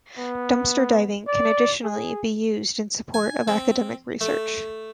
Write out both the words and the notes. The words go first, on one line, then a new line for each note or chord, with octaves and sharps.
Dumpster diving can additionally be used in support of academic research.
B3
D5
G#4
G#5
C4
A3